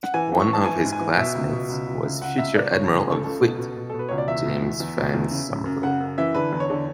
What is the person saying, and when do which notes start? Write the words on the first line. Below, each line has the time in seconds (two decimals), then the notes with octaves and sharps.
One of his classmates was future Admiral of the Fleet James Fownes Somerville.
0.03 F#5
0.14 E3 G#5
0.32 E3
0.39 C#6
0.48 E3 A5
0.66 E3 G#5
0.83 G#2
0.92 G#5
1.00 E3
1.17 B2 E5
1.35 C#2
1.52 B2
1.69 C#2
1.87 C#2
2.04 C#2
2.21 C#2 F#5
2.38 C#2 E5
2.55 C#2 D5
2.72 C#2 C#5
2.90 C#2
2.98 G#4
3.07 C#3 A4
3.24 C#2 A4
3.42 B2
3.58 B2
3.77 B2
3.90 B2 A4
3.99 B4
4.09 C#2 C#5
4.18 D5
4.28 E2 E5
4.46 B2
4.62 E2
4.80 E2
4.97 B2
5.14 E2
5.31 C#3
5.49 C#3
5.65 F#2
5.83 C#3 F#5
6.00 F#2
6.18 E3 E5
6.35 D3 B4
6.53 E2
6.60 C#5
6.70 D3